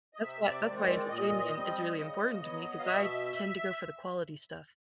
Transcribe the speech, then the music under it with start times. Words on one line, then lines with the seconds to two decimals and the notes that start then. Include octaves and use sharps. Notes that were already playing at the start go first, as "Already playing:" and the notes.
That's why that's why entertainment is really important to me 'cause I tend to go for the quality stuff.
0.14 D#5
0.20 C3 E5
0.49 D5
0.64 D#3 G#3 C4
0.79 D5
1.08 A#2 D#5
1.53 G3 C4
1.97 C#3
2.41 F#3 B3
2.79 F5
2.85 B2 E5